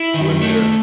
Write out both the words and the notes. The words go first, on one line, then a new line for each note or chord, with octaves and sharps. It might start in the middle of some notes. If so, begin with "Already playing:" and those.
when they're
Already playing: E4
D#3
A3